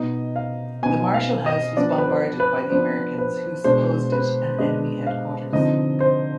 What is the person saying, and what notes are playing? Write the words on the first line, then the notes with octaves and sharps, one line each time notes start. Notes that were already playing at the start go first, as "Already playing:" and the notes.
The Marshall House was bombarded by the Americans who supposed it an enemy headquarters.
Already playing: B2 B3 D#4 D#5
F5
B2 B3 D#4 G#5
F5
D#5
F3 B3 D4 D5
B4
C5
B4
F3 B3 D4 C5
B4
B2 G#3 D4 C5
B4
B2 G#3 D4 D#5
F5
D3 F3 C4 D#4 D#5
C5